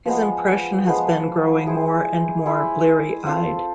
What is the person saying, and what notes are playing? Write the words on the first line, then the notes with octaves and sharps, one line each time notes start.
His impression has been growing more and more bleary-eyed.
F3 G#3 B3
F3 G#3 B3
E4 G#4 C5
E4 G#4 C5
C4 F4 A4 C5